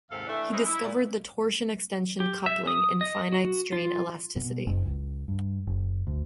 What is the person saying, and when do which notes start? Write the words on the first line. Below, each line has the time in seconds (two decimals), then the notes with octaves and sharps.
He discovered the torsion-extension coupling in finite strain elasticity.
0.11 D#2 G#2 C3 A4 F5
0.27 E3 A3 D4
0.53 G#3 C#4 D#4 E4 G#4 C5
0.66 E4
0.83 A#2
2.20 G4
2.46 E5
2.67 D#6
3.01 D#5
3.32 F#4
3.72 F4
4.36 B2
4.67 F#1
4.85 C#2
5.28 G2
5.67 F#1
6.07 D2